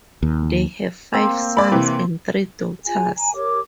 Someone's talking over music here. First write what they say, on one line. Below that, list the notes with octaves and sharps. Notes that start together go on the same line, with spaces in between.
They have five sons and three daughters.
D#2
A#3 C4
D5 B5
C3 E3
F4 G#4 G#5
G#5 A#5
G4 A#4 C#5 D6